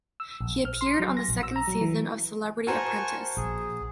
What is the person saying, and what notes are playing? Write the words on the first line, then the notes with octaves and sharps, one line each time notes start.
He appeared on the second season of "Celebrity Apprentice".
E6
A#1
F6
C6
F#3
A#6
A#1
E6
A#5
F#3
E3
F#4 A#4 C5 G#5 A5 C#6
A#1 G#4